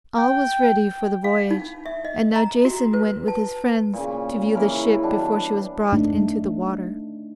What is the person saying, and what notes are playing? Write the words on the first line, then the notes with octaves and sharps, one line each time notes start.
All was ready for the voyage, and now Jason went with his friends to view the ship before she was brought into the water.
G5
F5
D#4
E5
D#5
A#5
F#4
B4
A5
A#2 C#3
E3 C#4 A#4 B5
B2 G3 D4
A3 D4 D#4